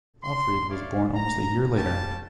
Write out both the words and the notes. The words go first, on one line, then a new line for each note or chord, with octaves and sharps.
Alfried was born almost a year later.
C6
E4 C#5 D5 F5
A#5
G3 C#4 F4 G5 A5